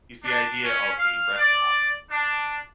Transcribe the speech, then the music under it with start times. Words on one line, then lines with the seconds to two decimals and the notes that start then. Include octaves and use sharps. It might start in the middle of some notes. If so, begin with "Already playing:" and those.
is the idea of a rest hour.
0.24 D4
0.64 C#4
0.99 F5
1.38 D5
2.10 D4